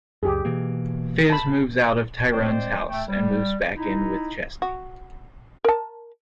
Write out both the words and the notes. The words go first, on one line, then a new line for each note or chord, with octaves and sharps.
Fiz moves out of Tyrone's house and moves back in with Chesney.
C#2 F#2 G4 G#4
B2 E3 A#3
A5 B5
G#3 C4 C5 D5
A3 G5
G3
D#4 E4
F#4
A#4 A5